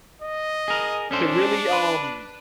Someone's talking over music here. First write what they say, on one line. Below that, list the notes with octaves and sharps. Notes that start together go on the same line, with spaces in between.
to really, um,
D#5
G#4 A#4
C#4 D4 A4 C5
B4